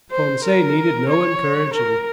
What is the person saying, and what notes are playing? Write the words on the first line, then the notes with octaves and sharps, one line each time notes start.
Conseil needed no encouraging.
C5
A#4
C#5
A#4